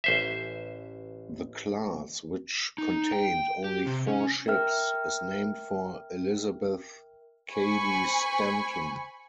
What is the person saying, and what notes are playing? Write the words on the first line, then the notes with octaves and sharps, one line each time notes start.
The class, which contained only four ships, is named for Elizabeth Cady Stanton.
A1 C5 E5
D#4
G5
G4
C3
C#4
A#4 E5 G5 F6
C5 G#5 B5 C#6